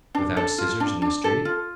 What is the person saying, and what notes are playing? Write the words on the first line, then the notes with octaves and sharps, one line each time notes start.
"Without scissors, in the street?"
D4
A4
F4
D4
D4
A4
F4